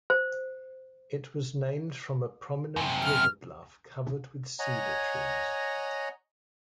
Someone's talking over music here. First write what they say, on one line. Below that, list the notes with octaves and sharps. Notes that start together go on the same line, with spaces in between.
It was named from a prominent river bluff covered with cedar trees.
C5
F#2 C3
F6
C#5 D#5 F#5 G#5 A#5